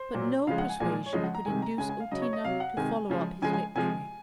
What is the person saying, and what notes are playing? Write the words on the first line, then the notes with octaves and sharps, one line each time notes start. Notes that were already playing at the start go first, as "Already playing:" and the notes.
But no persuasion could induce Outina to follow up his victory.
Already playing: C5
A#2 F#3
C#3 F3 G#3 F5
F#5
G#5
A#2 F3 G#3 G#5
C#5
C#3 F3 G#3 D#5
F#5
A#5
C3 D#3 G#3 G#5
A#5
C#3 G#3 G#5
G#5
F5
C#3 F#3 D#5
C#5
D#5
C3 F#3 F5
F#5
C3 D#3 G#3 G#5
C#3 F3 G#3
C#3 F3 G#3 G#5
G#5
C3 F3 G#3 G#5